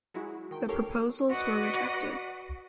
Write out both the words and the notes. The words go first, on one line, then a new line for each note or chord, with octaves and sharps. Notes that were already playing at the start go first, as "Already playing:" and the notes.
The proposals were rejected.
F#3 G#3 E4 F#4
D#3 G5
G4 A4 A#4 C#5 F5 G5
F#4 B4 D5 D#5 F#5